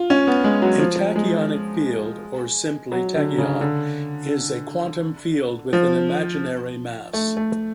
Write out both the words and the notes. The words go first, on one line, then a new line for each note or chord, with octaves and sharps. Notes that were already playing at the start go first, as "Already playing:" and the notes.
A tachyonic field, or simply tachyon, is a quantum field with an imaginary mass.
Already playing: F4
C#4
B3
G#3
F#3
F3
G#3
F#3
D3
C#3
D3
F3
A3
A3